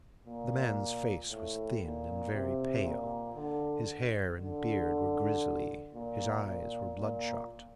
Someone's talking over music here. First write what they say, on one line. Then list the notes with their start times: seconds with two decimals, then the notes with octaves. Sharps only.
The man's face was thin and very pale; his hair and beard were grizzly; his eyes were bloodshot.
0.27 A#2
1.30 A2
1.81 A#2
2.33 C3
2.84 A#2
3.36 D3
4.39 D3
5.94 A#2
6.45 A#2
6.96 A#2